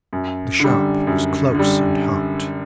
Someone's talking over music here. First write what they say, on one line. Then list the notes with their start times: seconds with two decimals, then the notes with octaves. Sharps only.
The shop was close and hot.
0.13 F#2
0.60 D3 G3
1.07 F#2
1.55 D3 G3